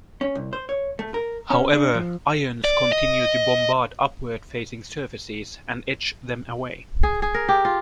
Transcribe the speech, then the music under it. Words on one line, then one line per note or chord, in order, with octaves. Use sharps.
However, ions continue to bombard upward-facing surfaces and etch them away.
C#4
C2
C5
C#5
A3
A#4
C#4
D4
F3
D5
D#5
G#4
G#4
A#4
G4
F4